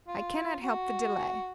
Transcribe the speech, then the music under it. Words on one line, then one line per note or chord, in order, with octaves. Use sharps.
"I cannot help the delay."
F4
F#4